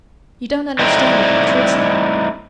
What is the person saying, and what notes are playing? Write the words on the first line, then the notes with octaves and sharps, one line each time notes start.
"You don't understand it, Teresa?"
G3 A3 C4 D#4 E4